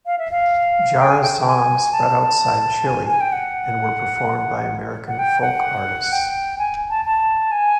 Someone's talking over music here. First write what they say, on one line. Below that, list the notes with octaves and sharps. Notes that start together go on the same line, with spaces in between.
Jara's songs spread outside Chile and were performed by American folk artists.
F5
E5
F5
G5
G#5
G5
G5
G#5
A5
G#5
G#5
G5
F#5
F#5
G5
F#5
G5
G#5
A5
A5
G#5